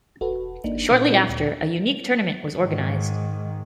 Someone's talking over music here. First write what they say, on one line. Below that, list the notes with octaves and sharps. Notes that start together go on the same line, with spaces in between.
Shortly after, a unique tournament was organized.
E1 F#4 A4 B4
G#1 A#3 D4 D#4
A#2
G#3 C4 E4
D2
G#2 D#3